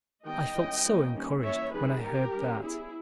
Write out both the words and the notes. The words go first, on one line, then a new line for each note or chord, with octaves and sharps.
I felt so encouraged when I heard that.
D#3 G3 B3 D#5 G5
E3 G#3 C#4
E3 G3 A#3 C#4
D#3 G3 A#3 C#4
E3 A#3 C#4 C#5 E5
D#3 G3 C#4 G#4 B4
G3 B3 G4 A#4
G3 C#4
G3 B3 E4 G#4